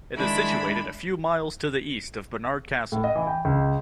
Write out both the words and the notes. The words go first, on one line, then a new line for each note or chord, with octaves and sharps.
It is situated a few miles to the east of Barnard Castle.
D#3 G#3 D4 E4 B5
A2
D#5
E3
G5
C#2